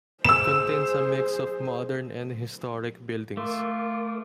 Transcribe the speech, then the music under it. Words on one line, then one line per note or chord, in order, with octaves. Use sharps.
It contains a mix of modern and historic buildings.
G#4 C5 E6 E7
A3 F4 A#4 D6